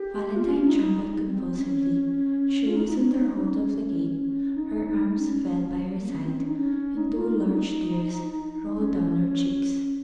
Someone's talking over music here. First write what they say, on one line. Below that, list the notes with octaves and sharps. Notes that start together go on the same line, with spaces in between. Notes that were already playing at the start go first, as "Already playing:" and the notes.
Valentine trembled convulsively; she loosened her hold of the gate, her arms fell by her side, and two large tears rolled down her cheeks.
Already playing: G4
F4
C#4
D#4
C4
C#4
F4
D#4
D#4
C#4
D#4
C#4
D#4
C#4
A#3
C#4
C4
C#4
D#4
C#4
D#4
F4
D#4
C#4
D#4
C#4